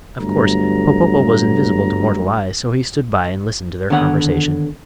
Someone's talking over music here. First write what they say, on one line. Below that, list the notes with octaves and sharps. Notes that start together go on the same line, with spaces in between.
Of course Popopo was invisible to mortal eyes, so he stood by and listened to their conversation.
G1 G2 F#3 A3 A#5
D3 D#3 B3 C#5 F#5